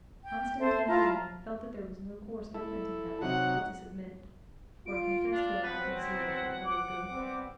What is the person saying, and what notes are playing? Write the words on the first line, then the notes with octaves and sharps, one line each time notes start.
Konstantin Levin felt that there was no course open to him but to submit, or to confess to a lack of zeal for the public good.
G5
A4 C5 E5 A5
E4 F4 A5 A#5
E4 A4
C3 F#3 D#4 F#5
F4 D7
D4 F5
B2 F#3 C4 B4 F#5
E4
D6
G3 B3 C4